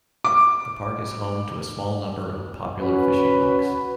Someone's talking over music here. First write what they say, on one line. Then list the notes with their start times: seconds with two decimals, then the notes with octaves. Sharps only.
The park is home to a small number of popular fishing lakes.
0.24 D6
2.81 C#4 F#4 B4